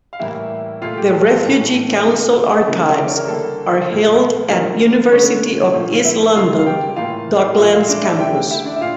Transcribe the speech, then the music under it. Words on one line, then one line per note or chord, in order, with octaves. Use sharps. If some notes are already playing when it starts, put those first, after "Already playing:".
The Refugee Council Archives are held at University of East London, Docklands Campus.
F5
A2 E3 G3 A#3 E4 E5
A#2 A3 F4 F5
G4
A4
A4
A2 E3 G3 A4
D3 A3
C#3 E3 A#3
E5
D5
C#5
A#4
D3 G3 A#3 A4
A#2 F3 A3
D3 F3 A#3 A#4
D3 A3 C#4 C#5
A#2 F3 A3
F5
E4 E5
C#3 G3 A#3 F4 F5
F5
G4 G5
A2 E3 A#3 F4 F5
A#2 F3 A3 E4 E5
F4 F5
D4 D5
E4 E5
D3 A3 G4 G5
G4 G5
E4 E5
D4 D5
E5
A#2 F4 F5